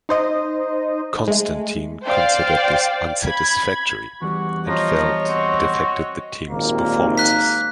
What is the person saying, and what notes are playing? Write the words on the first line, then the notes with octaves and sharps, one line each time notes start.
Constantine considered this unsatisfactory, and felt it affected the team's performances.
D#4 C5 D#5
G#3 A3
C5 D5 F5 G5
B5 G#6
E2 G3 F#4
F3 C#5 D#5 A#5
C4 F#4
G#1 D#2 A#2 A#3
F#6 B6